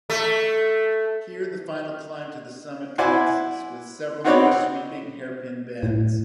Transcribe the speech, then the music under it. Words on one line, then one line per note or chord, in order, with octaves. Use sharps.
Here the final climb to the summit commences, with several more sweeping hairpin bends.
A3
E4 F#4 C5 D5 G#5
B3 C4 D#4 F#4 C#5 D5
A2